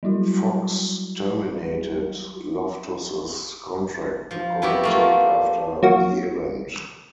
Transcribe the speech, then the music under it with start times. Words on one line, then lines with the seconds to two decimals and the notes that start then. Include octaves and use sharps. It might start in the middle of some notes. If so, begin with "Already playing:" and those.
Fox terminated Loftus's contract to commentate after the event.
0.03 F#3 G3 E4 F#4
4.31 F3
4.62 B3 E4 F#4 G4
4.83 A3 A#3 F4
5.83 F#3 A#3 F#4